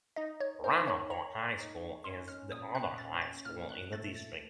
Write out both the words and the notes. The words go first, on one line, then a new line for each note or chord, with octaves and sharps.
Ramapo High School is the other high school in the district.
D#4 D#5
C#5
A#4 C5
C#5
C#5 A#5
D#4
C#4 C6
F6
A#2 D#6
F#6
C#4 A6
A6
A#2 F6
F#6
A3 A6
A6